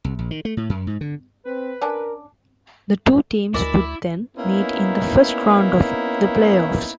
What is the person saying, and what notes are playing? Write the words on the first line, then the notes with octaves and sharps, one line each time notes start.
The two teams would then meet in the first round of the playoffs.
C2
A#1
D#3
A3
A2
F#2
G#2
D3
C4 B4
C#4 D4 A#4
D2 E4 A#4 D5 D#5 G#5
A#3 B3 C#4 D#4 E4